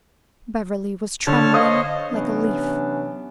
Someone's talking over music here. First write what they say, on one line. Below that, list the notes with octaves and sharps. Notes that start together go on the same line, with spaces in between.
Beverly was trembling like a leaf.
D3 C#5 A5 F6
C5 C#5 D#5 F5 D#6
C3 E3 F#3 B3 C#4 D4